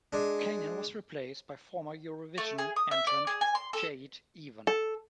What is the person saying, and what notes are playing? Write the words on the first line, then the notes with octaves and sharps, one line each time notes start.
Buchanan was replaced by former-Eurovision entrant Jade Ewen.
G#3 D4
A3
G#4
D#6
E5
D5
G#4
G#5
C6
A4
A4